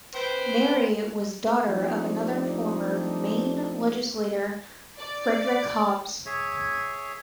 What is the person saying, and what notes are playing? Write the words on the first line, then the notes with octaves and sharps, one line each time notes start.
Mary was daughter of another former Maine legislator Frederick Hobbs.
B4 C5 G5
F3 G3 A3 C4 D4 D#4
D5
G#4 C#5 E5